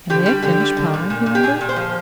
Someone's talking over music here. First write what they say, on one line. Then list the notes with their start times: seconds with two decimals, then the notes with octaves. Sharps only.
"Can they have finished ploughing?" he wondered.
0.10 D3 G4
0.26 G3 G4
0.43 D3 G4
0.60 G3
0.77 D3
0.94 A#2
1.10 A#2
1.26 A#2
1.35 G4
1.43 A#2 G#4
1.61 A#2
1.69 C5
1.76 F3